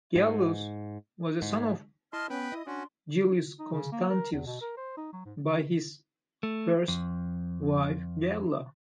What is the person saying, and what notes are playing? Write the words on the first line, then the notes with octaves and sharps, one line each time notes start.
Gallus was a son of Julius Constantius by his first wife Galla.
G#2
G#2
E4 D#5 A5 C6 F6
B3 C#4 B4 G5 B5
E4 D#5
C#4 D4 F#4 C6
D#4
C#3
A#3
A#4
E2
B2
A#4
C5
D#4
F#3
G#2
A3
F2